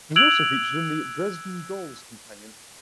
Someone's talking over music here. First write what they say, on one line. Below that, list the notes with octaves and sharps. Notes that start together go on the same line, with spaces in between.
It was also featured in "The Dresden Dolls Companion".
E6 F#6 G#6 D7 F7 F#7